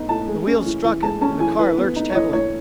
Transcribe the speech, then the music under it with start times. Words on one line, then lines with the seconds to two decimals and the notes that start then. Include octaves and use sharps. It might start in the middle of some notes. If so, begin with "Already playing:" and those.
The wheels struck it, and the car lurched heavily....
Already playing: B3 D#4
0.09 A2 A5
0.28 G#3
0.47 C#4
0.65 E3
0.84 E3
1.02 G#3 A5
1.21 C#4 A5
1.40 E3 G#5
1.59 E3 B4
1.78 B3
1.96 D#4
2.10 C#5
2.15 E3 D#5
2.33 E3 C#5